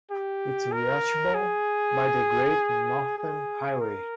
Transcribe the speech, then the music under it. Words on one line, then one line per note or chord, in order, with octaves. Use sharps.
It is reachable by the Great Northern Highway.
G4
A#4
G#4
G#4
A#4